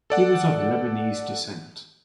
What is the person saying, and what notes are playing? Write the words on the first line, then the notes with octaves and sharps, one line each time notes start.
He was of Lebanese descent.
A4 D5 F#5